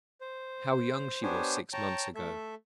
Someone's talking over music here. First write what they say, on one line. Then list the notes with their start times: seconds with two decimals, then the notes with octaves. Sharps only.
How young she was six months ago!
0.21 C5
1.23 B3 D4 G4 C5 C#5 G#5
1.73 C#5 G5 A5 A#5
2.15 A3 A4 E5